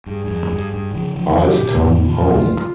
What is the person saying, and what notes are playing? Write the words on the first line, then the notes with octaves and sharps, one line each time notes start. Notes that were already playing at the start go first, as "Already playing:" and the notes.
I've come home.
G2 G#4
G2
F2
G2
G2
C#3 F3
C#3 F3
C3 D#3 G4
A#2 C#3
G#2 C3
A#2 C#3 F4